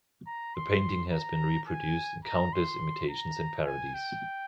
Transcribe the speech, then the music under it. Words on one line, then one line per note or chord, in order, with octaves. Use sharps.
The painting has been reproduced in countless imitations and parodies.
A#5
C6
A#5
G#5
A#5
C6
A#5
G#5
G5